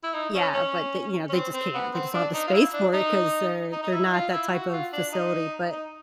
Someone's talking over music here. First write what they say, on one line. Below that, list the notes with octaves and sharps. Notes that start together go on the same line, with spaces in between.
yeah, but they you know, they just can't, they just don't have the space for it 'cause they're they're not that type of facility, but,
E4
D#4
C#4
C#4
C#4
C4
C4
B3
C4
D4
D#4
F4
E4
D4
D#4
D#4
D#4
E4
F4
E4
F#4
F4
D4
D#4
D#4